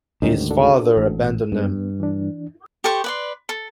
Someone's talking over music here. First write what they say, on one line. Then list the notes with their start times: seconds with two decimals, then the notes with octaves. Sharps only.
His father abandoned them.
0.22 D2 G#2 D#3 G3 C#4 D#4
0.51 D4 F#4 A4
0.97 A1
1.52 G2 B3
2.00 E3 D4
2.84 G4 A4 C5 C#6
3.04 B4 D5 C6
3.49 A4